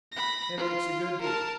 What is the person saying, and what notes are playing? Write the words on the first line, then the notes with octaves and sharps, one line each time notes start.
Head aches a good deal.
B5 A#6
F4
A#4 A5